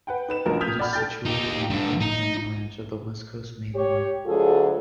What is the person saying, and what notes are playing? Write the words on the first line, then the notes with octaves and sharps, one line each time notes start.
It is situated on the Birmingham branch of the West Coast Main Line.
B4 F#5 G5
D#4 B4 E7
A1 G2 F3 A#3 F#4 A#4
D#6 F6 G6 G#6 B6 F7
D5 F#5 B5 F6
A4 G5 G6 A6
D#4 G4
G2 D3
D#4
G4 C#5
D2 F#3 F4 G#4 A4